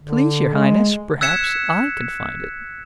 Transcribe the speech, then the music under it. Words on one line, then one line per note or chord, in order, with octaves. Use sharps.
"Please, Your Highness, perhaps I can find it."
D3
G#3
E6 F#6 G#6 B6 C#7 E7